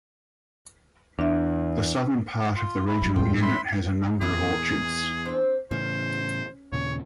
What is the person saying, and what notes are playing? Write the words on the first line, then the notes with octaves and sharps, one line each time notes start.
The southern part of the regional unit has a number of orchards.
E2 D4 E5
F4
E4
F#3 D4
E2 A2 G3 G#3 F4 G5
E5 B5 C6
E2 A#2 D#3 E4 G#4
C4 D4 C5
A2 C#3 E3 C#4 C5
D#2 A#2 C#3 C#5